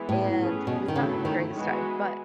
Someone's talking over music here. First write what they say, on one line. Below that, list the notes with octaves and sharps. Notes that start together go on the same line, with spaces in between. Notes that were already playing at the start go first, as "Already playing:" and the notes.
and we've not had the greatest time, but
Already playing: E3 G#3 B3 E4
A2
A3 C#4 G#4 B4
B2
D#3
C#3 F#3 A3 E4
D#3
E3 G#3 B3 F#4 B4